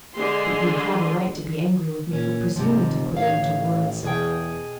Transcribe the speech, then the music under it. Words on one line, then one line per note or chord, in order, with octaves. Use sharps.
But you have a right to be angry with me for presuming to put it into words.
D3 G#3 G#4 C6
A#2 C#4
F1 G#2 C3 F3
A1 C#5 F5
E2 B2 G#4 G5